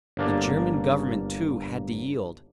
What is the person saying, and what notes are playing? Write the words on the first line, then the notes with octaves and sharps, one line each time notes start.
The German Government, too, had to yield.
G1 A#3 D4